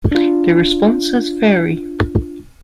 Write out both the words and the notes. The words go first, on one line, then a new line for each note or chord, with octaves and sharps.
Their responses vary.
D4 F4